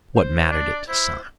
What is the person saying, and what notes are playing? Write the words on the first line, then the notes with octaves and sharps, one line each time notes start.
What mattered it to Simon?
C5
D4 D5
E4 C5